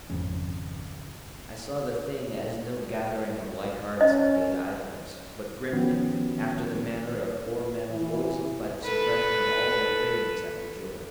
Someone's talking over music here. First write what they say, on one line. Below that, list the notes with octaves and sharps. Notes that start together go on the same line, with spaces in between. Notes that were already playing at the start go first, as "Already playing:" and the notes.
I saw the thing as no gathering of light hearts and gay idleness, but grimly--after the manner of poor men poisoned by the suppression of all their cravings after joy.
G#1 F2 C#3 C#4
C#4 D#5
D#3 F3 B3 C#4 F#4 G4
E3
A4 B4